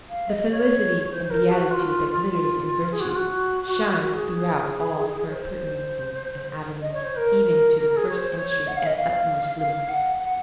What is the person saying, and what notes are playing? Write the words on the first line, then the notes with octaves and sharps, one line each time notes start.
The felicity and beatitude that glitters in Virtue, shines throughout all her appurtenances and avenues, even to the first entry and utmost limits.
F5
D#5
C#5
C5
A#4
F#4
F4
F4
G#4
F#4
F4
F#4
F#4
G#4
C#5
C5
D#5
C#5
C5
A#4
A#4
A#4
A#4
G#4
C#5
C5
C#5
F#5
F5
D#5
F5
F5
F#5
F#5